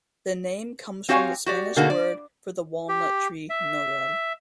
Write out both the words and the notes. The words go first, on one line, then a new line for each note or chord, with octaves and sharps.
The name comes from the Spanish word for the walnut tree, "nogal".
C4 F#4 G4 C#5 F5 G#5
F#4 G4 D5
B2 D3 A#3 D#4 F#4 G#4
D5
G4
E5